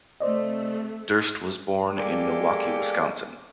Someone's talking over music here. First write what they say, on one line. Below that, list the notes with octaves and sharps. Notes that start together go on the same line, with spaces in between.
Durst was born in Milwaukee, Wisconsin.
C3 A3 C5 D5 D#5
G#3 A#3 G4 A4 D5